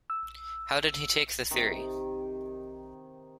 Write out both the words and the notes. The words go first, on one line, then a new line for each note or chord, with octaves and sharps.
How did he take the theory?
E6
C3 D#3